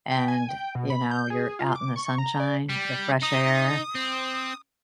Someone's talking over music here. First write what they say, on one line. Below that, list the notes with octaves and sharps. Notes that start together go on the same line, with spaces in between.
and, you know, you're out in the sunshine, the fresh air,
G5
G#5
G5
B2
B5
G6
G#4
F4
D6
C#6
A#5
D5
G3
D#4 D#6
C4